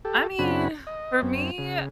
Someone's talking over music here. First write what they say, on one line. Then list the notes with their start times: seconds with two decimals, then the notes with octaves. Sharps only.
I mean, for me,
0.05 G4 A4
0.39 F#2 C#3 C4 D4 F#4 B5
0.87 D#5
1.22 F#2 C4
1.58 C#3